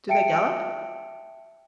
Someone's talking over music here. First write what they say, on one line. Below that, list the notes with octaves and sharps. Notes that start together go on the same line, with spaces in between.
Do they gallop?
E5 G5 A5 C#7 D7